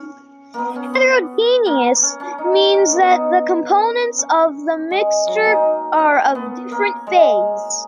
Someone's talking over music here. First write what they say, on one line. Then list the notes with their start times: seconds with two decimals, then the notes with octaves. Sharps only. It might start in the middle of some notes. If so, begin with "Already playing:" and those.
"Heterogeneous" means that the components of the mixture are of different phase.
Already playing: C#4
0.54 A#3 B3
0.76 C#4
0.94 B3
1.66 A#3
2.02 C#4
2.20 C#4
2.38 D#4
2.74 C#4
2.92 B3
3.10 D#4
4.18 C#4
4.91 G#3
5.27 F#3
5.35 G#3
5.45 A#3
5.53 D#4
5.99 C#4
6.35 B3
6.72 A#3
7.07 G#3